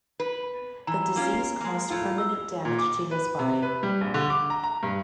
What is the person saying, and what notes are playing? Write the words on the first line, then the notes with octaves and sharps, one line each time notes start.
The disease caused permanent damage to his body.
B4
E3 A#5
A#3 C#4 F4
G#3 A#3
A2 F4
E6
A#2
D6
B4
C3
B4
G3
A#1
D3
D6
A#5
A#5
G2